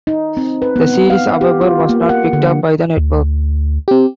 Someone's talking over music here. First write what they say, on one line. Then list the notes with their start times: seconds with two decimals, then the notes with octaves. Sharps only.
The series, however, was not picked up by the network.
0.07 D#4
0.37 C4
0.62 B4
0.76 B3
1.10 F5
1.41 G4
1.61 F4
1.89 A#3
2.09 F#5
2.33 D3
2.97 D2
3.88 C4 G4